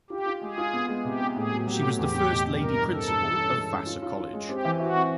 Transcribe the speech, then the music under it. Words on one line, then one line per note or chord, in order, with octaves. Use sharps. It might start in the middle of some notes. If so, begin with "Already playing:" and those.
She was the first Lady Principal of Vassar College.
F4 G4
F4
G#3 G#4
F4
B3
G#3
C3 G4
B3
A2 G#4
F#3
F#3 G4
A2
E2 G4
E2
B2
B2
G2 A#4
E3
C4 A4
G2
E3
C#4
G#3
C#4
F4
F4
F4
G#3
C4 G4
E3
E4 F#4
C4